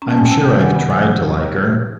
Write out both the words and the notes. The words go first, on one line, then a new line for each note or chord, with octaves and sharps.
I’m sure I’ve tried to like her.
C#4 A#5
A5
C#4 G#5
G5 A5
C3
D#3
E3 F#5 G#5
B3
F3 F#5 G#5